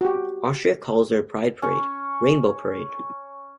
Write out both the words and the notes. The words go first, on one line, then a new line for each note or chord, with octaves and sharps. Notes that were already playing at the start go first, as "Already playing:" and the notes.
Austria calls their Pride Parade "Rainbow Parade".
F#4 G4
C#4 C#6